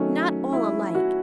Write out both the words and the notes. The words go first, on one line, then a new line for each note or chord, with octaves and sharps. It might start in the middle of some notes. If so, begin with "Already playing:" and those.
'Not all alike.
Already playing: D#3 F#3 A3 C#4
E4
F#4